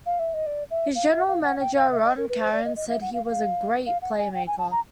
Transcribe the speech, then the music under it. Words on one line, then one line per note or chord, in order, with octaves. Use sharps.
His General Manager Ron Caron said he was A great playmaker.
F5
E5
D#5
D5
E5
F5
E5
F5
F#5
G5
F5
E5
D#5
A#4
B4
C5
D5
D#5
D#5
E5
F#5
F5
F5
F5
F#5
G#5
G5
G#5
A5
A#5